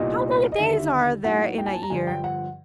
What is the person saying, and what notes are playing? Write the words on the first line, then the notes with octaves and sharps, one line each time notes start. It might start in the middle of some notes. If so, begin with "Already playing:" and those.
'How many days are there in a year?'
Already playing: C2 A#2 G3 B3 D#4 D#5
D#5
D#2 D3 G3 E5
A2 F#3 A#3 D#4 F#5
G5
G#5
A5
A#5
G2 D3 F3 G#5
G5
F#5